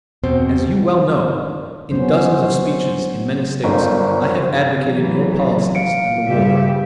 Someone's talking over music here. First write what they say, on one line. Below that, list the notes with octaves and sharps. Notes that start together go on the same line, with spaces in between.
As you well know, in dozens of speeches in many states I have advocated your policies and the war.
E2 G2 B2 C4 C5
F#3 B3 C#4 C5
G1 A#2 C5
E3 F#3
F5 C#7 D7
G2 C#3 G4 E5